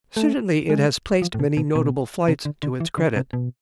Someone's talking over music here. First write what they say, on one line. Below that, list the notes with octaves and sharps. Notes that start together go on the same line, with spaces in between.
Certainly it has placed many notable flights to its credit.
A3
G#3
F3
A2
B2
B2
B2
C3
D3
D3
E3
D3
C3
B2